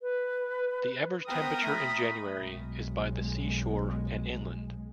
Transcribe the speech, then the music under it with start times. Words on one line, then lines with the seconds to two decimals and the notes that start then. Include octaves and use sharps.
The average temperature in January is by the seashore and inland.
0.01 B4
1.28 B3 A#4 C5 G5 D#6
1.63 A3 A#5 B5
2.40 B1 G#3